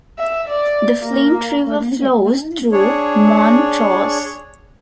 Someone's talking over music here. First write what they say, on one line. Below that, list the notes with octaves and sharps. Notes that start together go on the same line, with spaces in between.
The Flint River flows through Montrose.
E5
D5
A#3
D4 G#4 C#5